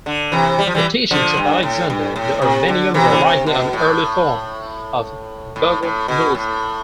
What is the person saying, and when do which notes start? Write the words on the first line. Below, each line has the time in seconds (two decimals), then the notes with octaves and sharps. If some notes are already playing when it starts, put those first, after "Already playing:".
The teachings of Alexander the Armenian were likely an early form of Bogomilism.
0.06 D3
0.32 C3 E3
0.59 G3
0.67 F3
0.74 E3 G3
1.11 D3 F3
1.37 G2
1.63 A2
1.90 G2
2.16 A2
2.42 C3
2.68 D3
2.94 C3 E3
3.10 D3
3.21 C3
3.46 B2
3.73 A2
5.56 A2
5.83 A2
6.08 B2
6.35 A2